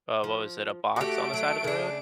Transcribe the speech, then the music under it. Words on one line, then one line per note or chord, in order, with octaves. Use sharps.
uh, what was it, a box on the side of the road?
F3
A3 F#4 G4 D7
F#3
C#3 D4